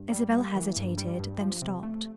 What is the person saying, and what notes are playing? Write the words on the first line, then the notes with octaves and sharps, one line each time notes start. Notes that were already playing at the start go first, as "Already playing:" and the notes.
Isabel hesitated, then stopped.
Already playing: G2
G3
A#3
E3
G2
G3
G2
F3
C3
A3